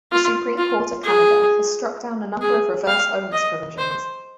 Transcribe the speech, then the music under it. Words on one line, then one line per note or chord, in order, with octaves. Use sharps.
The Supreme Court of Canada has struck down a number of reverse onus provisions.
F4
F4
G#4
G#4
F5
D#5
C5